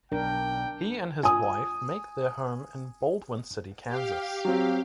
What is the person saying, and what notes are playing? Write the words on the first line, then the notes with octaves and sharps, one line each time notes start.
He and his wife make their home in Baldwin City, Kansas.
B1 D4 A#4 G5
G#5 D#6
G4 F5
F#3 C4